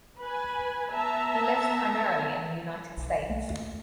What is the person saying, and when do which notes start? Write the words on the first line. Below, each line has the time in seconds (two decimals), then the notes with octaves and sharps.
He lives primarily in the United States.
0.19 B4 G#5
0.91 B3 E5 A5 A#5
2.97 B1
3.30 A3 A#3